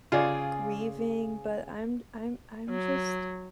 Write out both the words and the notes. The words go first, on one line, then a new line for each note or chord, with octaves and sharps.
grieving, but I'm d I'm I'm just
C#3 F4 G#4 D5
F#3